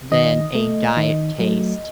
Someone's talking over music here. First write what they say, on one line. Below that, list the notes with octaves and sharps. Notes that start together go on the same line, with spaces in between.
than a diet taste.
D#3 D#5
A3
D#3
F#3 A3